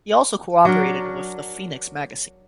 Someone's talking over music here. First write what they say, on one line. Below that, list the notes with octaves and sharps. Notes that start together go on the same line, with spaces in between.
He also cooperated with the "Fenix" magazine.
F#3 D4 A#4